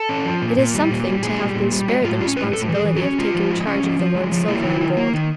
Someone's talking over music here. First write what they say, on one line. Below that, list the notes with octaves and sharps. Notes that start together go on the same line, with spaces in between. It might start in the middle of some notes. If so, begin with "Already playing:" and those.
It is something to have been spared the responsibility of taking charge of the Lord's silver and gold.
Already playing: A4
C#4
F3
A#2
A#2
G3
A#2
G3
A#2 G#4
G3
A#2
G3
G#3 F#4
A2 F4
C#4 F4
A2 B4
A2 A4
E3
G#4
E3
F#4
C#4
G#3 F4
F3
G#3
C#4
F3
F3
G#3
F3
A#3 E4
D#3
D#3
A#3
D#3